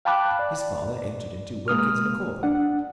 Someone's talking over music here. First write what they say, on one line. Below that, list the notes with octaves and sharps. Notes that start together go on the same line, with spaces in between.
His father entered into Wilkins Micawber.
F5 G5 A5 B5 D6 F#6
D5
G#3 A#3 D#6 F6
D4 F#5